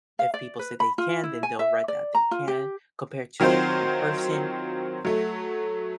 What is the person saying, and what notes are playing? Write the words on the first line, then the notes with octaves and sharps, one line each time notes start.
if people say they can, then they'll write that they can compared to, like, in person.
F5
D5
B4
B5
F4
E4
G#5
E5
D5
A#5
F4
G4
D#3 F#3 C4 F4 C5
F#3 A3